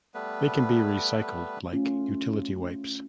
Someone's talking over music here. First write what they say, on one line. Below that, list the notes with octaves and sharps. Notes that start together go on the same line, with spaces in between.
They can be recycled like utility wipes.
G3 A3 B3 B4
A3 C#4 F4